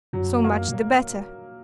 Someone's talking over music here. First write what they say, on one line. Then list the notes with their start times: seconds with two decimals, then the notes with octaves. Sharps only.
'So much the better.'
0.13 F#2 F#3
0.44 A#3
0.68 A#2